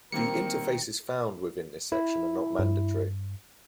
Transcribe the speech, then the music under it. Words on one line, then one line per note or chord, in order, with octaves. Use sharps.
The interfaces found within this section are not mandatory.
D#3 G3 A#3 C4 A#4 C#7
E4
G2